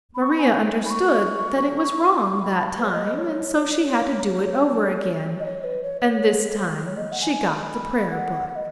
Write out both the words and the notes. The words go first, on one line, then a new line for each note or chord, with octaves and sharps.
Maria understood that it was wrong that time and so she had to do it over again: and this time she got the prayer-book.
B5
C#6
B5
G#5
B5
C#6
C#6
B5
B4
C#5
D#5
D#5
C#5
C#5
D#5
C#5
B4
C#5
C#5
C#5
D#5
F#5
G#5
B5
B5
F#5
F#5
D#5